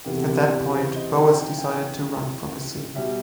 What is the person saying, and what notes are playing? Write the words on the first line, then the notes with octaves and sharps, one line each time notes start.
At that point, Boas decided to run from the scene.
E2 C3 E3 G4
A4
G4
A4
C5
D#5
F#5
G5
G5
B2 G3 E5